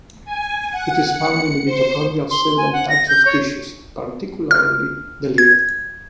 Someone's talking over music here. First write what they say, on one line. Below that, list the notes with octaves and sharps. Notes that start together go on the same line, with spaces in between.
It is found in the mitochondria of several types of tissues, particularly the liver.
G#5
F#5
C#7
C5
C6
G#5
F#5
A#6
G6
C#5
F6
G#6